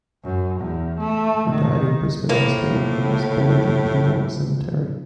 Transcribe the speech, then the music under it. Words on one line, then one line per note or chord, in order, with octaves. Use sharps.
He died in Brisbane Hospital and was buried in Toowong Cemetery.
F#2
E2
A3
D#3
A2 F3 A#3